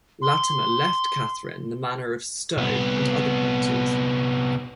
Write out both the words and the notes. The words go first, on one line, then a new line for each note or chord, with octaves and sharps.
Latimer left Catherine the manor of Stowe and other properties.
C6
C2 B3